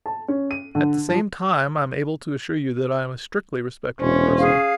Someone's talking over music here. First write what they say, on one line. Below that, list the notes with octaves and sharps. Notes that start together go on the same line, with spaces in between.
At the same time I am able to assure you that I am a strictly respectable person.
A5
C#4
D#7
D3
F3
E1 C#4 C5
G#4 F5